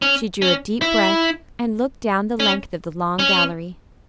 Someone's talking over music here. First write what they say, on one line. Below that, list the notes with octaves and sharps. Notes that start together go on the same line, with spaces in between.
She drew a deep breath and looked down the length of the long gallery.
C#4
C#4
E4
C#4
C#4